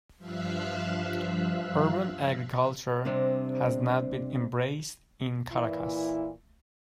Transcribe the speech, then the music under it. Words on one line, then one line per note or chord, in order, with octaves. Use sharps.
Urban agriculture has not been embraced in Caracas.
G2 F3 E5 F5 E6 F#6
C3 G3 C4 D4 D#5
A#2 E3 E4